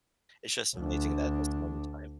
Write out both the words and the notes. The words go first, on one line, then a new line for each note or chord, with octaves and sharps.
it's just amazing that that's the only time
D2 D4